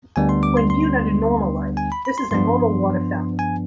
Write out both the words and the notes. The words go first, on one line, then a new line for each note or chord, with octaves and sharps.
When viewed under normal light, this is a normal water fountain.
D2 D3 G3 B3 D4 G#5
C6
D6
C6
C6
G#5
B5
B5
C6
G2 F3 B3 D4 C6
G#5